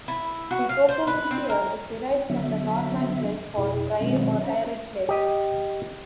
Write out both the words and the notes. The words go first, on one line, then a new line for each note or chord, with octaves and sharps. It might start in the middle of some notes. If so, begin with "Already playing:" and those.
The toponym "Seer" is derived from the Norman French for "dry or arid place".
E4
F#4
F5
C5
B4
C4
A#4
D3 F#3 B3 D4 E5
F2 B2 E4 G#4
B2 D#3 F#3 G#3 C4 C#4
C#4 C5 A#5
G4 D#5